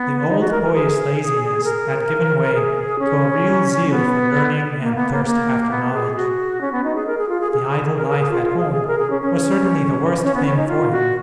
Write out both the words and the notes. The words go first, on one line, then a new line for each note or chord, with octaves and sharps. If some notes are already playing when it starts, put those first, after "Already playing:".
The old boyish laziness had given way to a real zeal for learning and thirst after knowledge. The idle life at home was certainly the worst thing for him.
Already playing: B3
D#4
F#4
A#4
A#4
G#4
A#4
G#4
C#4
B3
A#3
B3
A#3
A#3
B3
G#4
F#4
C#4
B3
D#4
G#4
A#4
G#4
F4
G#4
G#4
A#4
A#4
G#4
F4
F4
G#4
G#4
A#4
G#4
C#4
C#4
C#4
B3
C#4
D#4
F4
F#4